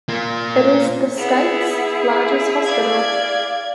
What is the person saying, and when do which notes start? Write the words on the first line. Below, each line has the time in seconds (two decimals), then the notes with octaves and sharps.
It is the state's largest hospital.
0.09 A#3 F4
1.16 B3 E4 G#4
2.65 D5 F5 G#6